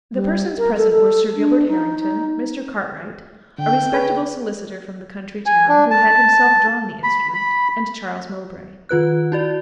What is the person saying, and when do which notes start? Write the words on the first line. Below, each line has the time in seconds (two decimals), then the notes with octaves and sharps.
The persons present were Sir Gilbert Harrington, Mr. Cartwright, a respectable solicitor from the country town who had himself drawn the instrument, and Charles Mowbray.
0.13 G3
0.58 A#4
0.77 A4
0.92 A4
1.36 D4
1.68 D#4
1.98 D#4
3.58 D3 G5
3.92 G#4 B4 C#5
5.46 G#5
5.68 D4
5.91 A5
7.03 B5
7.34 B5
8.89 D#3 F4 B4 F#6
9.32 E4 F#4 D5